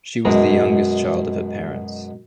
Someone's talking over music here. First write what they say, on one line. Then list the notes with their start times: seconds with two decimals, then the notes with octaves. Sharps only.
She was the youngest child of her parents.
0.25 F#2 B2 G#3 A#5